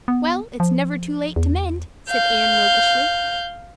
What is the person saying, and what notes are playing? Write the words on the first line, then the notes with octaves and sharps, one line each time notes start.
"Well, it's never too late to mend," said Anne roguishly.
B3
F3
E2
F5 G6